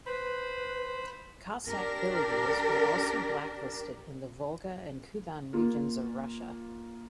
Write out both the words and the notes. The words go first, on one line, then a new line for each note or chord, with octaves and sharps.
Cossack villages were also blacklisted in the Volga and Kuban regions of Russia.
B4 C5 B5
D4 G4 A#4
A#3 F4